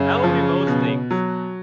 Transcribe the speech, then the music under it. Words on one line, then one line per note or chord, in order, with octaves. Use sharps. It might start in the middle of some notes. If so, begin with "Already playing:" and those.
that would be most things.
Already playing: F#2 C#3
F3
B2
F#3